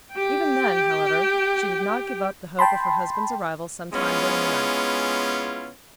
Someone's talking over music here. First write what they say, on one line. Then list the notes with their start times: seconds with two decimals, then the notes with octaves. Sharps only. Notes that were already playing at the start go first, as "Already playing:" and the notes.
Even then, however, she did not give up the hope of her husband's arrival sometime during the night.
0.14 G4 G5
2.59 G5 A5 B5 C6
3.93 G#3 B3 C#4 E4 F4